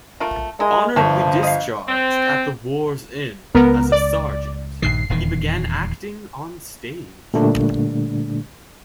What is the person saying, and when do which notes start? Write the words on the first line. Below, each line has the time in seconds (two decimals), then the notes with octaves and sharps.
Honorably discharged at the war's end as a sergeant, he began acting on stage.
0.20 A3 F4 A#4
0.60 G#3 E4 A#4 D#5
0.96 G1 F3 A3 A5
1.43 D#5 F5
1.88 C4
3.55 C#2 B3 A#4
3.92 D5
4.82 A#1 G2 D#3 C7
5.10 D#1 E2 D#3
7.34 A#2 D3 G3 A3 D4